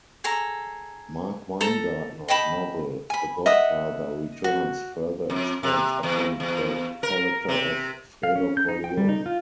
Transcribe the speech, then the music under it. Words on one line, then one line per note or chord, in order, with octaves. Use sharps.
Mark Winegardner's novel "The Godfather Returns" further expands upon the character of Fredo Corleone.
G#4 A4 A#5
A4 A#5
D#5 G5 A5 B5
G#5 B5
D#5 E5 F#5 D#6
F#4
F2
C3
E2
E2
A#4
C3
F5
C#4
G6
D#4
G5
G3
D#4
F4